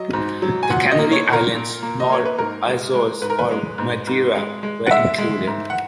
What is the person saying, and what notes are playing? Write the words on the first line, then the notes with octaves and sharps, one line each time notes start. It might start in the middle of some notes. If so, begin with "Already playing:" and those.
The Canary Islands, nor Azores or Madeira were included.
Already playing: F#3 D#5
G#2
F#3
G#5
A#2 F#5
D#5
A#3
C#5
A#2
A#4
A#2
A#3
D#5
A#3 C#5
B4
G#2 A#4
G#3
G#3
G#2 B4
A#4
B4
G#3
G#2
G#2
G#3
G#3
F#5
G#3 E5
G#3
G#2
F#5